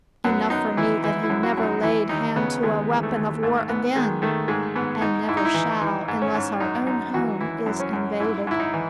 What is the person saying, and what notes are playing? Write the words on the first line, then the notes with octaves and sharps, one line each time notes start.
Enough for me that he never laid hand to a weapon of war again, and never shall unless our own home is invaded.
F#2 B3
F#2 D#4
E3 E4
E3 E4
E4
F#2
F#4
F#2
D#4
E3 E4
D#2 D#4
C#3 B3
D#2 G#3
E3
A3
D#2
G#2 A3
G#2 B3
D#3 G#3
D#3 A3
G#2 G#3
G#2 B3
G#2 D#4
G#2 E4
D#4
E4
E3 D#4
E3 D#4
G#2
C#4
G#2
F#2 D#4
F#2 D#4
E3 F#4
E3 E4
F#2
C#4
F#2
G#2 E4
G#2 E4
D#4
E3